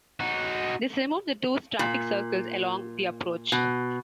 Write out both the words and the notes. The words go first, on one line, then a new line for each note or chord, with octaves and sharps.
This removed the two traffic circles along the approach.
D#4 F#4
A#2
B2